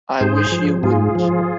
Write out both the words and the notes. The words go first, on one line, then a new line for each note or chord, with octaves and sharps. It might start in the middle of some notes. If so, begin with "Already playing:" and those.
I wish you wouldn't.
G#2 G#4 C5
F3
G#2 F4 G#4
F3